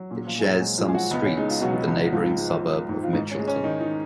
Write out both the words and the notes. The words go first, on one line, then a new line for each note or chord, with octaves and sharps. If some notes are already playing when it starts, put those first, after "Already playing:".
It shares some streets with the neighbouring suburb of Mitchelton.
Already playing: F#3
A#2 C#4
F3 F4
A#2 G#4
F#3 F#4
G#3 G#4
F3 F4
G#3 G#4
F#3 F#4
C#2 B3
C#4
G#3 D#4
F4
B2 F#3 F#4
C#2
F#4
G#2 F3 F4
G#3
F3
G#2
F4
G#2 D#3 D#4
C#4
G#3
C#4
D#3 D#4
D#3 D#4